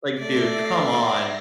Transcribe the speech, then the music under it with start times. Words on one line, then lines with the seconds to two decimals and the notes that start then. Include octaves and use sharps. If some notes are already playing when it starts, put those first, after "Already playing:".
like, dude, come on,
0.20 A3 D5 E5 A#6 C7